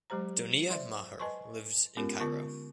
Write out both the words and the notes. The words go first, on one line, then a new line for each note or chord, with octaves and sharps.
Donia Maher lives in Cairo.
F#3 G#3 G4 C5 A#5
C5 D5 E5 C6
B4 D#5 G#5 A5 C6 C#6
G#3 B3 C#4 F4 G4 A#4
D3 B3 F4 A#4 A5 C#6